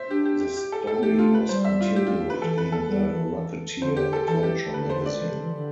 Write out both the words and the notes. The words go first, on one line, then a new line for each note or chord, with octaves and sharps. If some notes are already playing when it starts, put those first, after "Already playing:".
The story was continued in the "Rocketeer Adventure Magazine".
Already playing: C5 E5
D4 G4
G4
G4
G4
A4
A4
B3
A3 G4
F4
B4
G3 C5
E5
F4
G4
F4
B4
E3 A4
B4
A4
G3
E3
E3
D3 C5
G4
A4
E3 A4
G4
D3 B4
C5
D5
E3
D3
E3
D3